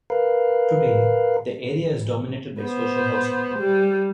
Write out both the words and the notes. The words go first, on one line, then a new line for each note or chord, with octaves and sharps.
Today the area is dominated by social housing.
A#4 B4 F5
B3 C5
G3